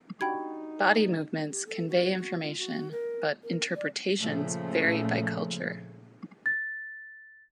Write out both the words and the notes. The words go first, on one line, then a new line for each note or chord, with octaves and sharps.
Body movements convey information, but interpretations vary by culture.
D4 D#4 F#4 G4 G5 B5 G#6
G4
A4
F#4
F#4
F4
F#4
A#4
A#4
D5
A#2 C#3 F3 A3
A6